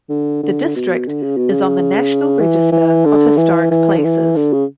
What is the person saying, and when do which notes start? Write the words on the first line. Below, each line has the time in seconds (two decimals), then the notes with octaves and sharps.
The district is on the National Register of Historic Places.
0.10 D3
0.43 D3
0.76 B2
1.08 D3
1.23 C#3
1.37 B2
1.51 C#3
2.40 E3
2.72 E3
3.05 D3
3.37 E3
3.71 E3
3.98 D3
4.04 E3
4.36 D3
4.53 C#3